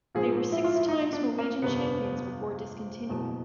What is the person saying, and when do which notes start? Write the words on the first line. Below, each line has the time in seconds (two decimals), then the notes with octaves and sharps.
They were six times Norwegian Champions before discontinuing.
0.15 A#1 G#2 F3 G#4
0.52 E4
0.64 F4
0.76 E4
0.88 D#4
1.13 D4
1.38 A#3
1.62 G1 F2 C3 B3
3.09 F#1 E2 B2